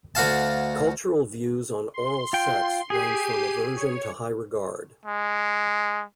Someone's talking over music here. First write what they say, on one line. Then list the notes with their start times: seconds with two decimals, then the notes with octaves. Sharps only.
Cultural views on oral sex range from aversion to high regard.
0.15 D2 F#4 F5 A5
1.94 C6
2.33 F4 G5
2.90 G4 G#4 C7 D#7
3.76 C#5
5.05 G#3